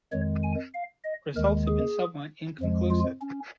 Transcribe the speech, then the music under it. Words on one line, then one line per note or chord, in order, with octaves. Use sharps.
Results have been somewhat inconclusive.
F2 D#3 G#3 C#5
G#5
F5
D#5
D#2 D#3 G#3 A#4
G#4
F2 F3 G#3
F4
C#4